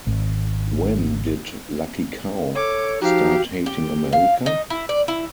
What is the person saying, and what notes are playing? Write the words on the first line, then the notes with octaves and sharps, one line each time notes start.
When did Lucky Cow start hating America?!
G#1
A4 C#5 D6
F3 D#4 F#4 G4 F5
G4
F5
D#4
E4
D5
E4